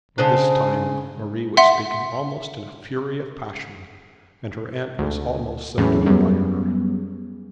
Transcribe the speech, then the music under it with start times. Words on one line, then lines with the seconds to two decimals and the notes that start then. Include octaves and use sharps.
By this time Marie was speaking almost in a fury of passion, and her aunt was almost subdued by her.
0.18 C#3 C4 D4
1.57 E5 F#5 C6
4.99 D2
5.78 E2 A2 F#3 C#4 G#4
6.06 F#2 G3 B3